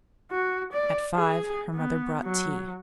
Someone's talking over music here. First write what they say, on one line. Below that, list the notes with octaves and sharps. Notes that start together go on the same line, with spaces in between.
At five her mother brought tea.
F#4
D5
G#4
B3
F#3